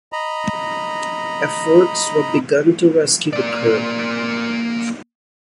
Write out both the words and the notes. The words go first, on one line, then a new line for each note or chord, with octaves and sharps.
Efforts were begun to rescue the crew.
D#5 A#5 B5
A#3 D5